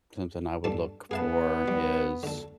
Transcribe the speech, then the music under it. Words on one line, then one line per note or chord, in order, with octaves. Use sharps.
something I would look for is
G2 A4 A5
B3 G#4 F5 A5
G3
D3 A4